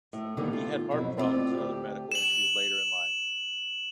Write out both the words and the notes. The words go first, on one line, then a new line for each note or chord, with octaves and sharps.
He had heart problems and other medical issues later in life.
A2
A#2 D3 D#3 G3 A3 B3
F4
F2 G#2 B2 F#3 E4
A2 C4 E4 F4 D5
D2 G4
E7 F#7